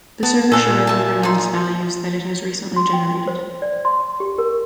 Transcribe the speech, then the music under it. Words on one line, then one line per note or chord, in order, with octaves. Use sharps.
The server should remember nonce values that it has recently generated.
B3 A5
A#2 A4 B4 F5 G#5 E6
E5 A5
D#4 C6
C6
G5
C5
D5
C6
G4
A#4